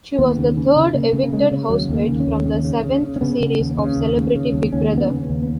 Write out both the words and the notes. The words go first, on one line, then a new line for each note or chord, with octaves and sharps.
She was the third evicted housemate from the seventh series of "Celebrity Big Brother".
D#2 B3
C#3
C#3
C#3
C#3 A#3
C#3
A#3
C#3 G#3
C#3
D#2 F#3
D#2
A#3
C#3
C#4
D#2
C#3
C#3
C#3
C#3
C#4
C#3 B3
C#3
D#2
C#3
D#2
C#3
C#3
D#2
D#2 C#4
C#3
B3
C#3
C#4
D#2
B3